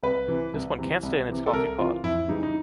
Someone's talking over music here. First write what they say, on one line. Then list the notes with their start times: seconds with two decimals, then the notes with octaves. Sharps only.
This one can’t stay in its coffee pot!...
0.03 C2 B4
0.28 C3 E3
0.53 C2
0.78 C3 E3
1.03 C2
1.28 C3 E3
1.46 A4
1.53 C2 A#4
1.79 C3 E3 F4
2.03 F2 E4
2.28 C#3 E3 G3 D#4
2.43 D#4